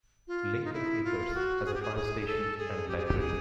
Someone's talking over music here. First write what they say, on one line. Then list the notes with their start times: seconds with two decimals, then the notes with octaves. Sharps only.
Lincoln Acres has a fire station and library.
0.28 F4
0.65 D#4
0.73 E4
1.04 F4
1.35 F#4
1.65 G#4
1.75 G4
1.82 G#4
1.96 G#4
2.21 G#4
2.27 A4
2.58 G#4
2.89 G4
2.97 G#4
3.06 G4
3.19 G#4